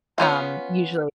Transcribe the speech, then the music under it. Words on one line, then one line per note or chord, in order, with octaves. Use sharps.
um, usually
B3 C#4 F4 F5